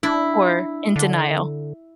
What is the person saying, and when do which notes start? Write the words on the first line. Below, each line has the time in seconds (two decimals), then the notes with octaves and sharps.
or in denial?
0.03 D4 E4
0.96 D3